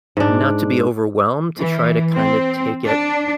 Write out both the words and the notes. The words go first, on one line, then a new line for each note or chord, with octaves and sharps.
not to be overwhelmed, to try to kinda take it,
G#2 D4
E3
C4
D4